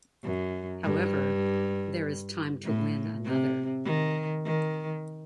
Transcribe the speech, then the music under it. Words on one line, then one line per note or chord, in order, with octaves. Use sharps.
However, there is time to win another.
F#2
G2
A2
C3
D#3
D#3